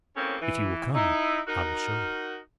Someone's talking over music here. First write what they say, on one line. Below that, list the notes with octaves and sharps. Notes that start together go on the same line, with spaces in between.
'If you will come, I will show you.'
F#2 A2 C#3 A#3 C4 C#4
E3
D#4 E4
D#4 F#4 A#4